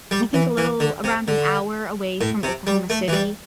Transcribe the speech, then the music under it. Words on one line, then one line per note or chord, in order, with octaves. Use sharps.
I think, a little around an hour away from Oklahoma City,
G3
E3
E3
D3
C3
D3
A2
C3
G3
A3
E3
G3